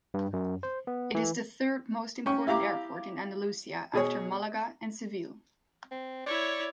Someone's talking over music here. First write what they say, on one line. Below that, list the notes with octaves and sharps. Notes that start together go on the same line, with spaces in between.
It is the third most important airport in Andalucia after Malaga and Seville.
G2
F#2
C5
B3
E3
C#4 G5 C#6
E4 G4 F5 A#5 D6
B2 G#4 C#5
C4
E4 C#5 D5